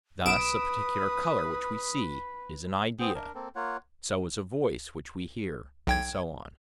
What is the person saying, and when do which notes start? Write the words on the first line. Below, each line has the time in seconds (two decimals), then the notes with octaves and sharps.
Thus a particular colour which we see is an idea; so is a voice which we hear, and so on.
0.26 B1 B4 B5 D#6 D7 E7
2.99 B3 C4 G#4 G5
3.15 D4 A#4
3.35 A#3 C4 A4
3.55 A#3 F4 C#5 F#5
5.87 B1 G5 G#6